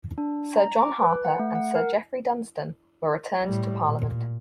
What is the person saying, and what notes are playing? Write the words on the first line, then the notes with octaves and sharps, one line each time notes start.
Sir John Harper and Sir Jeffrey Dunstan were "returned to parliament".
D4
A#5
D6
B4
F#5
A3
F#5
A#4
A2 G3
A#2